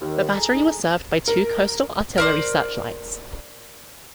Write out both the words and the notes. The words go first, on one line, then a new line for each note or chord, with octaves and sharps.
The battery was served by two Coastal Artillery Search Lights.
D#2 D#3
G#4 A4 A#5
D#4
A#4
A#4 C5 D5